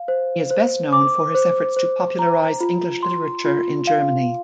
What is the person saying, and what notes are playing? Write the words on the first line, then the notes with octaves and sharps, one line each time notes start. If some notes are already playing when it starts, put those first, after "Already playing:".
He is best known for his efforts to popularize English literature in Germany.
Already playing: F5
C5
C5
D6
C5
C5
A#5
F4
C6
F4
F5